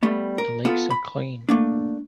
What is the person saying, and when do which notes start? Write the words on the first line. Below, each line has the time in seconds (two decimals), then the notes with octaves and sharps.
The legs are clean.
0.03 G3 A3 B3
0.38 A#4
0.65 B3 F4 A4
0.90 B5
1.49 A3 A#3 D4